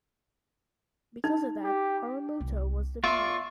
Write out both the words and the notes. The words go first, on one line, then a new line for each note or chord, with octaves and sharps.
Because of that, Harumoto was defeated.
D#4
G4
C2
B3 F4 D5 E5 C6 C#6